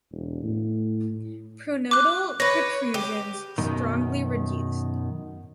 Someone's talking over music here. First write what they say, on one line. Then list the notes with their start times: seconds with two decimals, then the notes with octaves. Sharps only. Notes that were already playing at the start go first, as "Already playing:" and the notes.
Pronotal protrusions strongly reduced.
0.12 E1
0.43 A2
1.91 D6 F#6
2.40 B4 C#5 A#6
2.94 G4
3.58 F#2 B2 D#3